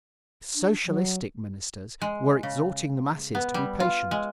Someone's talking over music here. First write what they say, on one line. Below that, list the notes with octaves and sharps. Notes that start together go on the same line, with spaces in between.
The "Socialistic" ministers were exhorting the masses to be patient.
D4
F#3
G#3
C#3
B3
G3
F4
G#3